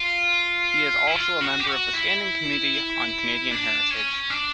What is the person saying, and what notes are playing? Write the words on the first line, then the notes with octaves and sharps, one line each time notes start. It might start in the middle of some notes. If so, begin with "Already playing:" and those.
He is also a member of the Standing Committee on Canadian Heritage.
Already playing: F4
E4
F4
F#4
G4
F#4
E4
D4
C#4
D4